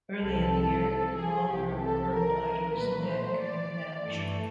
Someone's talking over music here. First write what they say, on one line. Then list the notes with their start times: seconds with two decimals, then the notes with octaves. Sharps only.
Early in the year, Lawler burned Idol's neck in a match.
0.21 C2 C3 F3 A4
1.17 G#4
1.48 C2 C3 E3 G4
1.80 A4
2.12 A#4
2.76 A#2 F#3 A3 B4
3.08 C5
3.40 D5
4.03 G2 E3 A3